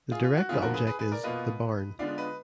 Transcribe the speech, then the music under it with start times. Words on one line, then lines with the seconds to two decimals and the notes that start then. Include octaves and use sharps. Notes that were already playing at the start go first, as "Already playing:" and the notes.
The direct object is "the barn".
0.12 F4 G#4
0.24 F4
0.37 F#4
0.49 F2 D3 F3 B3 F4 G#4
0.62 F#4 A#4
0.74 G#4 B4
0.87 G#4 B4
0.99 G#4 B4
1.12 A#4 D5
1.24 B2 A#3 F4 B4 D#5
1.99 D3 G#3 B3 D4 F4 D5 F5
2.18 B4 D#5